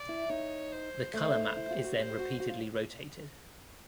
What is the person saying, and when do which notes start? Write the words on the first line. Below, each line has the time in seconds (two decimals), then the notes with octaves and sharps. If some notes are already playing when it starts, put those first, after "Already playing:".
The color map is then repeatedly rotated.
Already playing: D5
0.09 E4
0.30 D#4 C#5
0.72 C5
1.14 A3 C5
1.34 D#4
1.56 E4
1.71 F4
1.78 G4
1.84 F#4
1.98 G4 C5
2.19 F#4
2.40 F#4
2.49 F4